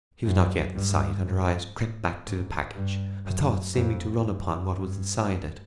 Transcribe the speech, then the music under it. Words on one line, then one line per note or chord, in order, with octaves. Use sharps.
He was not yet in sight; and her eyes crept back to the package, her thoughts seeming to run upon what was inside it.
F#2
G2
G#2
A2
G#2
G2
F#2
F2
F#2
G2